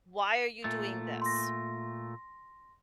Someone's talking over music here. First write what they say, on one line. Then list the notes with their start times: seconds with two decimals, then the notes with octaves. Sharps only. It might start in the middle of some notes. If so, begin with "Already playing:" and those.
why are you doing this?
0.64 A#2 A3 A6
1.22 C6 A#6